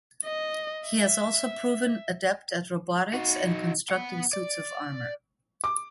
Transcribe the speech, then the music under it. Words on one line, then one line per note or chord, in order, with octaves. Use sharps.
He has also proven adept at robotics and constructing suits of armor.
D#5
E5
D#4 F#4
B3 F#5
D5
D6